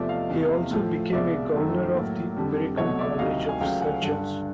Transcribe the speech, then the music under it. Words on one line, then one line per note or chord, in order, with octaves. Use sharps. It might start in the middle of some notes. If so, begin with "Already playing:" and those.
He also became a governor of the American College of Surgeons.
Already playing: E2 C3 F3 A3 D5 E5
D#5 F5
E2 C3 E3 A3
A2 F3 A3
C2 B2 G#3 D5 E5
F#2 D#3 F#3 A3
A2 F#3 A#3
F2 D3 G3
C2 B2 F#3 A3 C#5 D#5
D5 E5
D2 C3 D#3 G3 D#5 F5
G#5
C#2 C#3 F#3 A3 F5 G5
F#5 G#5
G2 D3 G3